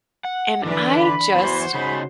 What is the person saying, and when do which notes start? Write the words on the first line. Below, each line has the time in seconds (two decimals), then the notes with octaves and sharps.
and I just
0.25 F#5
0.62 D3 E3 D4 B4
0.99 B5
1.35 E2 E3 F#4 C5
1.74 C#3 D#4 B5